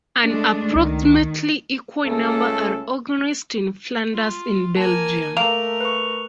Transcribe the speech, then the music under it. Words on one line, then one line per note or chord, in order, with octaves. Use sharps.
An approximately equal number are organised in Flanders in Belgium.
G#3 A3 D4
C#2 D#3
C#2 C#3 A3 A4
F4
A#3 G#5 A5
A3 A#3 A#4 F7
B4 C#6